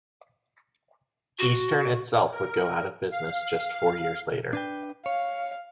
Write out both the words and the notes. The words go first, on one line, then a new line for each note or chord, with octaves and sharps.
Eastern itself would go out of business just four years later.
F#4
A#4
F5
D4 B4 G5
C#5 F5